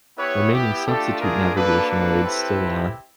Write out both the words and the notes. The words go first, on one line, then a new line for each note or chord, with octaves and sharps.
Remaining substitute navigational aids still are.
B3 E4 G4 B4 C#5
G4
A3 D4 F4 G4 A4
G#4 A#4
A#3 D4 F#4 A4 B4
A4 B4
C4 E4 G4